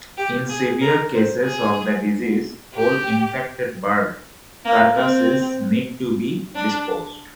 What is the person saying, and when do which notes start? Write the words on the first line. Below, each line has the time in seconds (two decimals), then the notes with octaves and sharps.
In severe cases of the disease whole infected bird carcasses need to be disposed.
0.18 G4
0.49 G#4
0.81 A#4
1.14 C5
1.45 G#4
2.74 G4
4.65 A#3
4.96 C4
6.56 D4